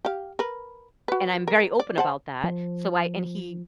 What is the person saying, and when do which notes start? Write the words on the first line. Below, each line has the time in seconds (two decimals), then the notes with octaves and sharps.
and I'm very open about that. So I and he
0.05 G4 F5
0.39 A#4 B4
1.08 F#4 B4
1.48 A#4
1.80 D5
1.98 C5 F#5 A5
2.44 F3